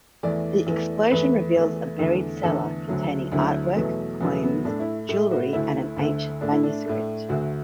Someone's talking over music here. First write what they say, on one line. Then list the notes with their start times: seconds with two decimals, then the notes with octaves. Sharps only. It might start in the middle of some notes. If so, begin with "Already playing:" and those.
The explosion reveals a buried cellar containing artwork, coins, jewellery and an ancient manuscript.
0.23 E2 E3 A3 D5
0.67 E2 E3 A3
1.11 E2 E3 A3 B4
1.56 E2 E3 A3
1.99 E2 D3 A3
2.43 E2 D3 A3 A4
2.87 D2 D3 F#3 A3
3.32 D2 D3 F#3 A3 E4
3.76 E2 B2 F#3 A3
4.20 E2 B2 F#3 A3 B3
4.43 B3
4.65 A2 A3 D4
4.80 E4
5.09 A2 A3
5.31 F#4
5.53 D2 D3 A3 E4
5.97 D2 D3 A3
6.41 A2 A3 D4
6.52 E4
6.63 D4
6.85 A2 A3
7.29 D2 D3 A3 F#4